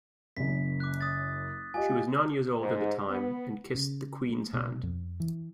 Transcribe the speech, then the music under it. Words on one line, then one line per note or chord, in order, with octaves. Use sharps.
She was nine years old at the time and kissed the Queen's hand.
F#1 F#2 B6
D6 F#6
D#6 A6
F4 G4 D#5 G#5
G#2
B3
C#3
A3
B2
F2
E3